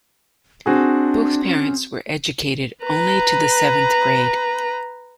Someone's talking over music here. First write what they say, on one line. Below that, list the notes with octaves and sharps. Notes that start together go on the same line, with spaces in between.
Both parents were educated only to the seventh grade.
C4 D4 F#4 G#4
C#4
B4 A#5